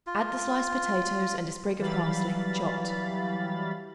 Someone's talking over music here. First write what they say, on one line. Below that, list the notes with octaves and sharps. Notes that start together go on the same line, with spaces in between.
Add the sliced potatoes and a sprig of parsley chopped.
F4
E3 F#3 G3 F5 B5 A6